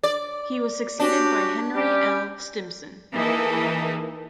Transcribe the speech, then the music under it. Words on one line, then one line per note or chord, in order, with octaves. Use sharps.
He was succeeded by Henry L. Stimson.
D5
C#4 D4 F#4 G4
G3 C#4 G4
E3 A#3 D#4 G#4 A4